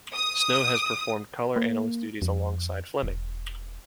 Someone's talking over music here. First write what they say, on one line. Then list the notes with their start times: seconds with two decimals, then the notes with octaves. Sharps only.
Snow has performed color analyst duties alongside Flemming.
0.15 D#6
1.56 A#3
2.22 F2
3.03 E1